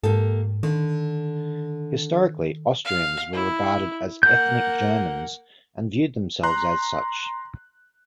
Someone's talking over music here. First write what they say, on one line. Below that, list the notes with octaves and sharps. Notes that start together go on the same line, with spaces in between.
Historically, Austrians were regarded as ethnic Germans and viewed themselves as such.
G#2 A#3 G4 A4
D3 D#3
F5
E4
A#3 F#5 G6
A#5 C6 F#6